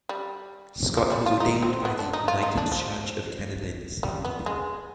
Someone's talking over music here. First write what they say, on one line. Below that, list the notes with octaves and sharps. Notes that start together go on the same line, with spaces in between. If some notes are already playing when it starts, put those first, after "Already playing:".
Scott was ordained by the United Church of Canada in the same year.
G3
F3
G3
F4
D#4
C4
B3
D4
D#4
F4
D#4
D4
F3
G3
B3
G#3